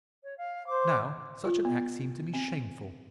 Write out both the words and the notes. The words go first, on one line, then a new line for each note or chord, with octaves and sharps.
Now, such an act seemed to me shameful.
C#5
F5
C5 D6
F4
B3
C4